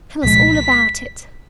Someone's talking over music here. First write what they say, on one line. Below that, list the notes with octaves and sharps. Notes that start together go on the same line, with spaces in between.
Tell us all about it.'
C2 A#2 F3 G#3 B6
B6